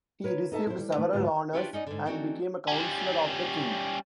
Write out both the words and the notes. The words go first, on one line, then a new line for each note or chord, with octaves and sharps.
He received several honours and became a counselor of the king.
A#4 B4 C#5
D#4 A4 E5 A5
E4 C5
G3
E3 A3 B4
D2 G#2 D3 B3 F4 D5
D4 E4 F4 G4 B4 C#5
C#4 D#4 D5 D#5
G#2 D3
E3 A3 C4 D4 D#4 F#4
G3 C#4